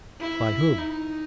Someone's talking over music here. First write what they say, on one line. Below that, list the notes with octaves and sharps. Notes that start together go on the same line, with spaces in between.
"By whom?"
E4
D#4